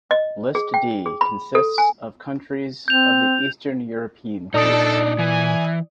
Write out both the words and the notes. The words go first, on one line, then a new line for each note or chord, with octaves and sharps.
List D consists of countries of the Eastern European Group.
D#5
G#4
G5
G#4
B5
A4
G#5
C4 G6 F7
A#2 D4 D#4 A4 D5 D#6 D7
E3 G#5